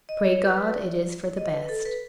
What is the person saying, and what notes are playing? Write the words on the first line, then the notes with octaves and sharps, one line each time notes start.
"Pray God it is for the best."
D#5
C#5
B4
B4
D5
D#5
B4
A4
B4